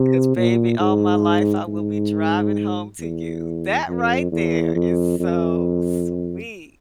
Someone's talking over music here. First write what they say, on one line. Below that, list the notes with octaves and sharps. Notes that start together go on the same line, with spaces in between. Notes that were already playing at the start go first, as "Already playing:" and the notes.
’cause, baby, all my life, I will be driving home to you." That right there is so sweet.
Already playing: C3
A#2
G#2
G#2
E2
F2
E2
F2
F2